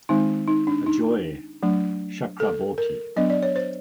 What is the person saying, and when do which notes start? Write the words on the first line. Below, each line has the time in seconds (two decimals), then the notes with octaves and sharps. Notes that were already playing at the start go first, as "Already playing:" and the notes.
Ajoy Chakraborty.
0.09 D#3 G#3 C4 D#4
0.47 D#4
0.67 D4
0.86 D#4
1.63 F#3 A3 D4
2.40 A4
2.78 A#4
3.16 F#3 B3 D4 D#5
3.30 D5
3.43 C#5
3.56 C5